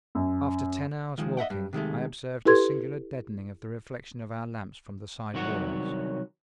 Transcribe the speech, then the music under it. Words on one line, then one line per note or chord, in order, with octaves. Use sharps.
After ten hours' walking I observed a singular deadening of the reflection of our lamps from the side walls.
F#2
D#3 F3 G#3
D#5 E5 F#5 G5
G2
C3 D#3 G#3 A3
E4 G4 A4 B4 C6 G#6
C2 D#3 F#3 C#5 F#5